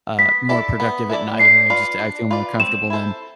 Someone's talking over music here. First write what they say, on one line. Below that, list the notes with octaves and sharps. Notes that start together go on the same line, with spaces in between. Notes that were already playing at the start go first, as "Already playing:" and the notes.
uh, more productive at night or I just, I feel more comfortable than,
B3 B6
E4 A4 D5
B3
E4 A4 D5
D4 C7
F4 B4 D5
D4
F4 B4 D5
C4 E7
E4 A4 C5